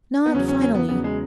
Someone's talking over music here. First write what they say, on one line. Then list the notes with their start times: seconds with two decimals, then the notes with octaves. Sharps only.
'Not finally.
0.26 B3
0.34 E2 C#3 F#3 C#4
0.48 C#4
0.61 C#4
0.74 B3
0.89 E2 C#3 F#3 B3
1.04 G#3